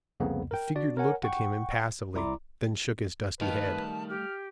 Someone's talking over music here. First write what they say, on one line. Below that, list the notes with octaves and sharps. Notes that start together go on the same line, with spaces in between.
The figure looked at him impassively, then shook its dusty head.
C2 F2 C#3 A#3 B3
A#4 G5
D4 F#4 D5
A#4 C#5 F#5 G#5
F#5 G5 C#6
C2 E4 D5 A#5 C6 D6
D#3 G3 A3 B4 F5 A5
G4 F6